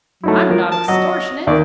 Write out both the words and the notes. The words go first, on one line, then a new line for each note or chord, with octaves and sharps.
I'm not extortionate.
F#3 A3 D#4 E4
F3 A#4
A5
F#3 D#5
D#2 A#3 D5